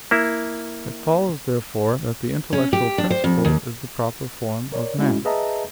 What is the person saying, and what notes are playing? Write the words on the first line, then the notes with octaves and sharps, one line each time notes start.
It follows therefore that the intellectual principle is the proper form of man.
A#3 E4
C#4
G4
D4
C5
F2
D#2
A#4 C#5 D5
G#3 C#4 E4 F#4
G#4 B4 D#5 E5 A5 A#5